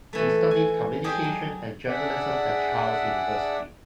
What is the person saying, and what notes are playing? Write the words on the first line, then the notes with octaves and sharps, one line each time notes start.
He studied communication and journalism at Charles University.
E3 A3
G#5
G#3 D4 G4 G#4 D#5
F#3
D4 G#4 D5 E5 F#5